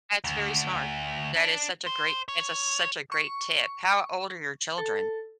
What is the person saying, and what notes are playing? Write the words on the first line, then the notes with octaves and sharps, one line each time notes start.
That's very smart, that is such a great it's a such a great tip, how old are your children?
D2
D4
C5
C#5
C#6
A4